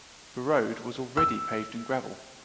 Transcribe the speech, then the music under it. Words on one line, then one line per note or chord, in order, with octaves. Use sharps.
The road was already paved in gravel.
E6